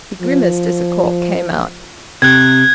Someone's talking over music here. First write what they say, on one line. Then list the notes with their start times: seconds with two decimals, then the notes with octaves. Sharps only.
He grimaced as the cork came out.
0.22 F3
2.22 C3 F#6 G#6